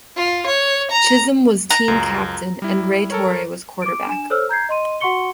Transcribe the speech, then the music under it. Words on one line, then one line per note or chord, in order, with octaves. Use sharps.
Chism was team captain and Ray Torrey was quarterback.
F4
C#5
A#5
A#5
C#2 F#2
G3 E4
A4 A#4 C#5
D6 D7
D4 G#5 E7
A4 C5 C#5 E6 F6
A#5 G6 G#6 C7
D#5 C6 D#7
F#4 F#5 C6 C#6 C#7 G7